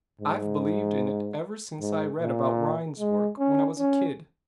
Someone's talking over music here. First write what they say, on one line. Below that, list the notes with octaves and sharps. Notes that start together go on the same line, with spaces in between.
I've believed in it ever since I read about Rhine's work, when I was a kid.
G#2
G#2
A#2
G#3
C#4
C#4